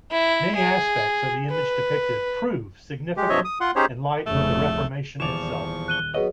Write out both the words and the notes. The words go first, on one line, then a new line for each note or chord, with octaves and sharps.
Many aspects of the image depicted prove significant in light of the Reformation itself.
E4
G#4
B4
G#3 G4
G2 C3 F3 C#5 D#5 E5
D#6
F4 F#5 C6
C#4 D#4 G4 G#4 C5 C#5
F1 C2 C#3 A3
D#1 E2 E3 F3 D5 C#6 E7 F7
F#6 D#7 G7
F#3 B3 F#4 G#4 B4 C#5 D#5